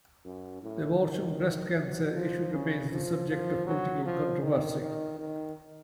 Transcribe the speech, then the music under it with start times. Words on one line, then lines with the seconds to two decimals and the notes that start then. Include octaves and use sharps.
The abortion-breast cancer issue remains the subject of political controversy.
0.25 F#2
0.63 A2
1.01 D#3
1.77 F#3
2.15 F3
2.53 C#3
2.91 F3
3.29 F3
3.66 F#3
4.05 F3
4.43 D#3
4.80 D#3
5.19 D#3